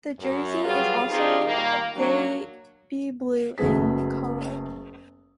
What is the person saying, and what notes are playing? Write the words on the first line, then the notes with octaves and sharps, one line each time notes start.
The jersey is also baby blue in colour.
F#2
F#3 G3 B3 F4 F#4 G#4
D#3 C4 D#4 F4 G4 G#4
A#2 D#3 G3 A#3
F#3 A#3 D4
F#1 F#2 A3 B3 G#4 B6